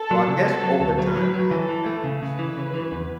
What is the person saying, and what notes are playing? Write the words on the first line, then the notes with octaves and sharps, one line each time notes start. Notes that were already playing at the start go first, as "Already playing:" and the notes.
So I guess over time I had to balance, uh, through
Already playing: A4
F#3
C#3
B3 A4
F#3
D2
F#3 B4
F#3
F#3
E3 A4
E3
A3
C#3 B4
C#3
E3
C#3
E3
E2